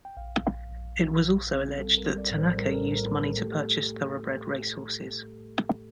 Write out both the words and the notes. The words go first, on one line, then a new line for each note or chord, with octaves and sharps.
It was also alleged that Tanaka used money to purchase thoroughbred race horses.
G5
A#1 F5
A#1
A#1
A#1
A#1
C4
G3 A4
A#4
G3
D5
A2
C5
G3 A#4
A4
A#4
A2
A#4
A2
A3 A4
G4
A4